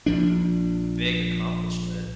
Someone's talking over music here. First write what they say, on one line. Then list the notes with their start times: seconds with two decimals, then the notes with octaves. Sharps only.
big accomplishment.
0.06 A#1 F3 D4